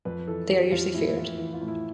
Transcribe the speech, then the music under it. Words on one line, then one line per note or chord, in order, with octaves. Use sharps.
They are usually feared.
F2 B4
E3 A4
E3 G4
F2 F4
A2 E4
E4
E3 F4
E3
F4
A2
E4